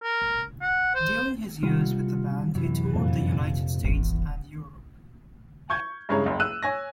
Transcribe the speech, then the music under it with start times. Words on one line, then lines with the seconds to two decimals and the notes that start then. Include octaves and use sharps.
During his years with the band he toured the United States and Europe.
0.03 A#4
0.62 F#5
0.95 C5
1.63 C3 G3 F4 F#5
2.55 F#2 C3 E3
2.95 F2 A#2
3.84 D#1 G#1 E2
5.70 C#6 G6 G#6
6.09 G2 C#3 G#3 E4 C#5 A#5
6.26 F#1 C#2
6.40 E6 F#6 D#7
6.63 C#5 G#5 A#6